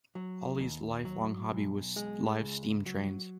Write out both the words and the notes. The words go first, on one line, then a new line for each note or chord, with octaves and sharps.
Ollie's lifelong hobby was live steam trains.
F#3
D#2
F#3
B1
G#3
C#2
F#3